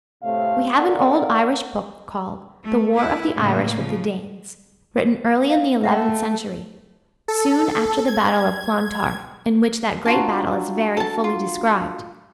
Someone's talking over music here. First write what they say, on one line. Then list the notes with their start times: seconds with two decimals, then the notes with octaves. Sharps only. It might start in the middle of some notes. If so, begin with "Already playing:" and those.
We have an old Irish book called "The War of the Irish with the Danes," written early in the eleventh century, soon after the battle of Clontarf, in which that great battle is very fully described.
0.24 A2 C3 A3 C4 F5
0.79 A4 A#4 D5 F5 F#5
2.64 A3
2.95 E4 B4
3.36 A2 C#3 G#3 A#3
3.76 C#3 F3
5.50 F5
5.84 A3 E5 F#5 G5
7.28 A4
8.08 G#6
10.05 D4 F4 F#4 A5 A#5
10.97 A4 A5
11.24 F4